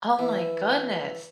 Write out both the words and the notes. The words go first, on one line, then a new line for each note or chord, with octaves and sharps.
Oh my goodness.
E3